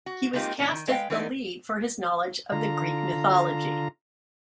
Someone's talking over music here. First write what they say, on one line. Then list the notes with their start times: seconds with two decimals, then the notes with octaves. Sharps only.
He was cast as the lead for his knowledge of the Greek Mythology.
0.06 F#4
0.33 G#3 A#3 C4 D#4 F4 G4
0.59 A#2 E3 C#4 D4
0.71 D#3
0.87 G#3 B4 C#5 E5 F5 G5
1.10 E3 G#3 B3 D4 D#4
2.52 D3 F4 A#5